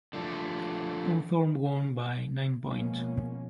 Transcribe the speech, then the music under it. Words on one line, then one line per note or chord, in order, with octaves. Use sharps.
Hawthorn won by nine points.
D3 F3 A3
B2 F3 G#3 A#3 B3 C#4